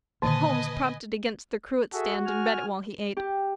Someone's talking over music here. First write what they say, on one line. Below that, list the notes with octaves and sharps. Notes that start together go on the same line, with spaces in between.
Holmes propped it against the cruet-stand and read it while he ate.
A#2 D3 D#3 A#3 B4 D#5 G#5 A5
F#4 G#4 A4 E5
G#5 F6
G4